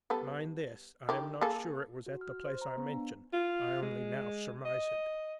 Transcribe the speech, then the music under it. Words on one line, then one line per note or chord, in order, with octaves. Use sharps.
Mind this, I am not sure it was at the place I mention; I only now surmise it.
G3 B3 A4
D#3 G4
A#3 G#4 A4
F#4
F6
C5
A#5
B3
D4
F4
G#3
D#5